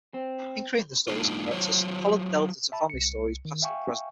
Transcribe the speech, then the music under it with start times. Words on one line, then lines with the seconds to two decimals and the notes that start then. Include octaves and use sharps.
In creating the stories and characters, Holland delved into family stories, past and present.
0.14 C4
1.08 G#3 A#3 D4 D#4 F4
1.51 F#3 F4 C5 C#5
2.72 E5 A5 B5
2.90 C2 C#7
3.45 D#3
3.62 E5 F5 G5 G#5 C#6